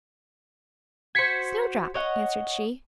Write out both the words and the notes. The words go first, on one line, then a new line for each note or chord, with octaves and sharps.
"Snowdrop," answered she.
F#4 C5 G#6 B6 C#7
C#5 D#5 F#5